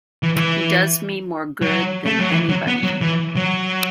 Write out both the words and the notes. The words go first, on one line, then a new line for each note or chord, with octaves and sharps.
He does me more good than anybody.
E3
E3
F#3
A3
F#3
E3
F#3
B3
F#3
E3
F#3